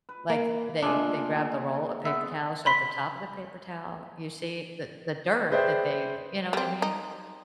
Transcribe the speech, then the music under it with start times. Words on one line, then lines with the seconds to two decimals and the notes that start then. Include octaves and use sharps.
like, they they grab the roll of paper towels, so at the top of the paper towel, you see the the dirt that they You know what I mean?
0.09 B4
0.30 A#3
0.83 A#2 G#3 A3 D4
2.05 B3 E5
2.66 B5 C6 B6
5.51 G#4 B4 C5 D5 E5 G5
6.53 G3 C4
6.82 D#4